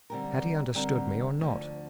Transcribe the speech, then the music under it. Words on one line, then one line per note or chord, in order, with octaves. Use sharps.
Had he understood me or not?
D3 G3 C4 G4 A#4
D3 G3 C4 G4 A#4
D2 D3 F3